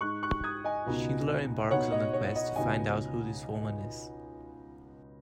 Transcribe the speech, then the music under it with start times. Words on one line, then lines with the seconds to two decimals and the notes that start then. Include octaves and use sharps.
Schindler embarks on a quest to find out who this woman is.
0.01 G#2 G#3 D#4 C#6 F#6
0.23 C#6 F#6
0.44 D#6 G#6
0.64 D#5 G#5
0.86 C#2 B2 B3 D#4
1.71 B2 B3 D#4 C#5 F#5
1.92 D#5
2.13 C#5
2.36 D#5
2.56 C#2 B2 B3 D#4 D#5 G#5